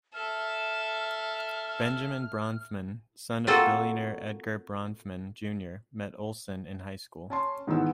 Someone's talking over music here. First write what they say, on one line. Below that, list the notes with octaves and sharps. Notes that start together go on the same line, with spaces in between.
Benjamin Bronfman, son of billionaire Edgar Bronfman Junior met Olsen in high school.
A4 E5 F6
A#3 C4 F4 F#4 A4
C#4 A5 C6
G#2 D#3 E3 B3 E6